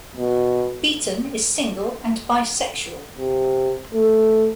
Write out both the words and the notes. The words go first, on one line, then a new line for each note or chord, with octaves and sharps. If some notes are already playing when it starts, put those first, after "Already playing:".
Beaton is single and bisexual.
B2
C3
A3